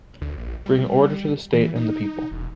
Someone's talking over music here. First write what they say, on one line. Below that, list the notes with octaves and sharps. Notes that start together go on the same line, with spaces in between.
Bring order to the state and the people.
D2
A#1
G3
E3
D#4
E1